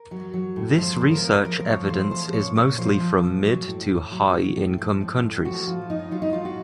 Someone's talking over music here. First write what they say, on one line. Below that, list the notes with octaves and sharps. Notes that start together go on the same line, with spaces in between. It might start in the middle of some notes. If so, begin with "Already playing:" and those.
This research evidence is mostly from mid- to high-income countries.
Already playing: A#4
F#3
F#3
A2
F3 C5
A2
A#4
A2
F3 A#4
F3 C#5
A2 C5
F3 C5
A#2 C#5
A#2 C#5
F3 C5
F3
A#2
F#3
A2
A2
F#3
F#3
A2
F3
A2
A2
F3 F#4
F3 F4
A2 D#4
F#3 F4
D#4
A2 F4
F#4